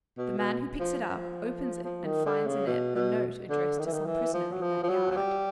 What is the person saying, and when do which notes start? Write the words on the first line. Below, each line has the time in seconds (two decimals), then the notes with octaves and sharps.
The man who picks it up opens it and finds in it a note addressed to some prisoner in that yard.
0.18 B2
0.38 B2
0.80 F3
1.01 F3
1.84 F3
2.05 D#3
2.26 D3
2.47 C#3
2.66 B2
2.95 B2
3.50 D3
3.79 D#3
3.86 E3
3.93 D#3
4.06 E3
4.33 F3
4.52 F#3
4.62 F3
4.83 F3
4.89 F#3
5.11 F#3
5.17 G3